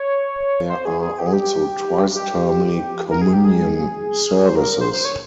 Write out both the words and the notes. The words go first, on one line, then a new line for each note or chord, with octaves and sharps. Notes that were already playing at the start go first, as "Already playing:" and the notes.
There are also twice-termly Communion services.
Already playing: C#5
C5
G#4
G#4
G4
G#4
G4
G4
A#4
G#4
G4
G#4
C5
A#4
C5
C5
C#5